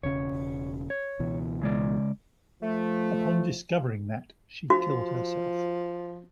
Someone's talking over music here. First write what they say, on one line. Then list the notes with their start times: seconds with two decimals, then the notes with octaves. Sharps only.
Upon discovering that, she killed herself.
0.03 E1 C#3 C#4 C#5
0.90 C#5
1.19 C#2 B2 E3
1.61 C#3 G#3 D5
2.63 F3 A3
4.70 F3 F#4